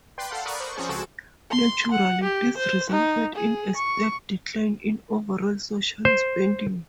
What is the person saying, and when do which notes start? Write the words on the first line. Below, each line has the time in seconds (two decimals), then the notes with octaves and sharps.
Naturally, this resulted in a steep decline in overall social spending.
0.18 B4 D5 G5 C6
0.31 A4 F5 F#5
0.45 A#4 D5 B5 C#6 D#6 F#6
0.60 C5 C#6
0.76 F3 C4 C#4 G#4 C#5 D5
0.89 C#2 F#4 A4 D7 E7
1.51 C6
1.91 F#5
2.24 G4
2.57 C5
2.90 D#4
3.35 G#4
3.76 C#6
6.05 C5